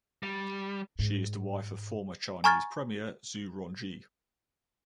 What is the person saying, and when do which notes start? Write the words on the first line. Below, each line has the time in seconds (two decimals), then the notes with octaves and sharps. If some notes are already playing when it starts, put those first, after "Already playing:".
She is the wife of former Chinese Premier Zhu Rongji.
0.23 G3
0.99 G#2
2.44 G#5 A#5 C#6 F6 G#6 A6